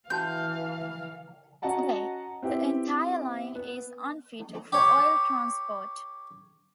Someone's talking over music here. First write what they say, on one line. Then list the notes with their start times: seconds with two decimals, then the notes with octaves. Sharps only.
Today, the entire line is unfit for oil transport.
0.10 E3 C#4 F#4 F5 A5 G6
1.62 C#4 F#4 D#5 F#5 A5 A#5
2.43 C4 E4 G4 B4
3.55 B3
4.72 G4 C#5